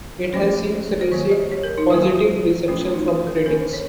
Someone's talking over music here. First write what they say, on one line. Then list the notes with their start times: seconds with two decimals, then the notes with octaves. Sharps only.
It has since received positive reception from critics.
0.24 C#5
0.33 F3 A3 C#4 C5
1.01 C5
1.12 D#3 F#3 A#3 C#5
1.32 D#5
1.52 C#5
1.63 A#4
1.78 D#4
1.89 D#3 F#3 A#3 F4
2.03 F#4
2.16 F4
2.68 F3 A3 C#4 F4
2.81 F4
2.94 D#4
3.08 F4
3.27 A4
3.46 D#3 A#3 C#4 A#4
3.60 C5
3.73 C#5